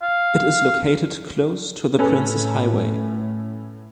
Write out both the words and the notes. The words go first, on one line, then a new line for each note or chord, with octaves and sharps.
It is located close to the Princes Highway.
F5
A2 C#4 A4 B4